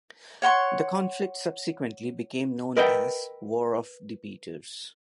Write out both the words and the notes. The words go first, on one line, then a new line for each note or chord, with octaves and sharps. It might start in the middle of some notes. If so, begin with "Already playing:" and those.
The conflict subsequently became known as "War of the Peters".
C#5 F#5 C6 C#6
A#4 B4 D#5 E5 F#5 G5